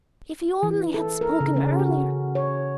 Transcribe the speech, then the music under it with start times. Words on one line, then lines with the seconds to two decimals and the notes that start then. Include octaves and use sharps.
If he only had spoken earlier!
0.63 E3
0.94 A4
1.21 A#4
1.40 C#3
1.56 C#4
1.79 F#4
2.35 C#5